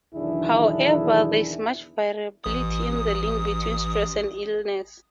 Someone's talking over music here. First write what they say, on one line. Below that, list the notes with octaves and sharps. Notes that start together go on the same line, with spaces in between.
However, there is much variability in the link between stress and illness.
B1 E2 D#3 D4 E4 G#4
A1 D#6